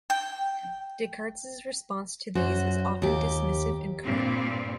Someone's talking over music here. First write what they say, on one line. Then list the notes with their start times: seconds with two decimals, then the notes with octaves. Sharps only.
Descartes' response to these is often dismissive and curt.
0.10 G5
2.35 F#2 F#4 C5
3.02 D#2 G4
4.02 G2 A#2 G3 C4